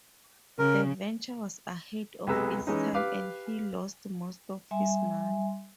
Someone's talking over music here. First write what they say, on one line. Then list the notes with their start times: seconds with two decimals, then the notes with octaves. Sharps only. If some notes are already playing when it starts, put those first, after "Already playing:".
The venture was ahead of its time and he lost most of his money.
0.59 C#3 A#4
2.27 B1 C3 G#3 B4 A#5 E6
2.67 E3 G#3 C#4 D#4
2.94 G4 B4 F5 D6
4.71 G3 E5 G#5 C6